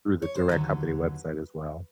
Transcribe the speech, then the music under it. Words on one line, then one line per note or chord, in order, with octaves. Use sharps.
through the direct company website as well.
C#5
C5
D#2 D3 F#3 B4